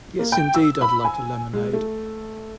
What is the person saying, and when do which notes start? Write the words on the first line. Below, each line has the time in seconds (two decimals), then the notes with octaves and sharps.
Yes indeed, I'd like a lemonade.
0.19 A#3
0.32 G5
0.55 E6
0.81 B5
1.05 G#5
1.53 G#3
1.73 A3